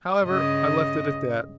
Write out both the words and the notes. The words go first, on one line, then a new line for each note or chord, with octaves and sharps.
However, I left it at that.
G2 C#3 D#5